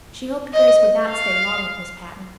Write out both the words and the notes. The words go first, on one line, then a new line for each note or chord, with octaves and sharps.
She hoped Grace would not stay long with Miss Patten.
D#5
F5